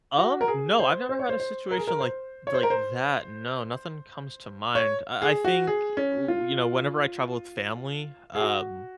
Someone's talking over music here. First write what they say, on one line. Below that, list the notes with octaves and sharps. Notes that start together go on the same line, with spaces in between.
Um, no, I've never had a situation like like that, no, nothing comes to mind. I I think, ooh you know, whenever I travel with family, um,
F#4
A#4
G#4
C5
C5
C#5
C5
C5
A#4
G#4
A#4
C5
C#5
C5
A#4
C5
C#5
G#4
F#4
G#4
C#4
F4
G#4
F#4